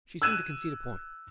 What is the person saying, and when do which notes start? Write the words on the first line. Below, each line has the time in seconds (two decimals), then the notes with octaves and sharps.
She seemed to concede a point.
0.22 E6 F#6 G#6 D#7 E7